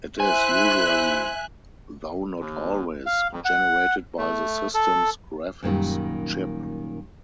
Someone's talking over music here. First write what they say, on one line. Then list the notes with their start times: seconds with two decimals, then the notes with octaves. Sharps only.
It is usually, though not always, generated by the system's graphics chip.
0.20 E4 C5 E5 G#5 F#6
2.40 D#2
3.06 F5
3.32 F2
3.45 F#5
4.18 A3
4.74 A4
5.63 F#2 A#2 D#3 G3